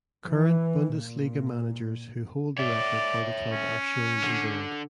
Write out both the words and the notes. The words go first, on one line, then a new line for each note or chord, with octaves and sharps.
Current Bundesliga managers who hold the record for the club are shown in bold.
E3
A#2
C#5 D5 E5
C#4
D3